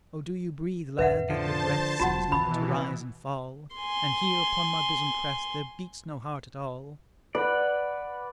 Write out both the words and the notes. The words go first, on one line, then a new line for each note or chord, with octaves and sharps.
"Oh do you breathe, lad, that your breast Seems not to rise and fall, And here upon my bosom prest There beats no heart at all?"
A1 F2 B4 E5 F#5
D3 F3 C5 A5
E1 F#3 F4 F#4 F#5 A5
B2 D#3 E3 B5
G#5 C6
B4 D5 F#5